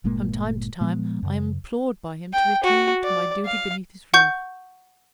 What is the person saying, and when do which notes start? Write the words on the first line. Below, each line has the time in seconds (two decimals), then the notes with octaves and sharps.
From time to time I am implored by him to return to my duty beneath his roof.
0.04 G1 A#2 G#3 A#3
0.81 A#2 F3 G#3 B3
1.23 F#2 C#3
2.33 G5
2.64 F#4
3.04 D5
3.46 F5
4.14 F#5 C#6 G6